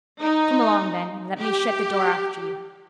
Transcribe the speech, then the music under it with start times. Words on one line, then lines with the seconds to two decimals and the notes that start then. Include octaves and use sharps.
"Come along, then, and let me shut the door after you."
0.20 D#4
1.41 G4